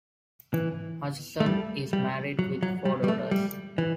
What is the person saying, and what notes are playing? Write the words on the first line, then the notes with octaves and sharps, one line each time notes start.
Hutchison is married with four daughters.
E3
A3
G3
G3
F#3
F#3
G3
G3
A3
G3
E3